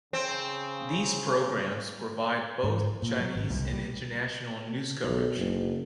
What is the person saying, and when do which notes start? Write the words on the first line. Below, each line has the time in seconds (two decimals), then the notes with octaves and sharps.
These programmes provide both Chinese and international news coverage.
0.13 C#3 C4
2.63 G#2
3.02 A#2
3.20 F#3
3.35 G#1
3.50 C2
3.73 G3
5.03 B1
5.36 F#1